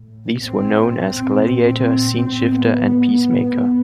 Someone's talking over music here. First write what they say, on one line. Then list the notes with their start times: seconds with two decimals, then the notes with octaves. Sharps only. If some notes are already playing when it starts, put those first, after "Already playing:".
These were known as "Gladiator", "Sceneshifter" and "Peacemaker".
Already playing: A2
0.41 C4
1.01 A#2 C4
1.62 C4
2.22 A2 C4
2.52 B3
3.13 B3
3.43 A2 B3